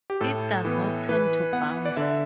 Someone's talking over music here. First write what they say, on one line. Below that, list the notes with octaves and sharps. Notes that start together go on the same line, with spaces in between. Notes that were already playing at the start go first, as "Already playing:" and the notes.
It does not tend to bounce.
G4
A2 A4
E3 B3
E3 B4
B3 F#5
D5
D3 E5